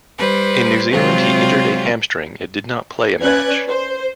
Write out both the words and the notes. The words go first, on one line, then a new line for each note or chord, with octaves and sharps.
In New Zealand he injured a hamstring and did not play a match.
G3 B4 C5
C3 F#3 G#3 C4 F4
C#4 B4 D5 F#6 G#6
C5